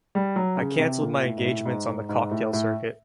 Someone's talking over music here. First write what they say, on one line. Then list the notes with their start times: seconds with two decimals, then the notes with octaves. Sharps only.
I cancelled my engagements on the cocktail circuit.
0.15 G3
0.36 F#3
0.57 C#3
0.79 C3
1.01 A#2
1.23 A2
1.37 G#2
1.45 A2
1.66 G#2
1.88 G#2
2.09 G#2
2.31 A2
2.53 A2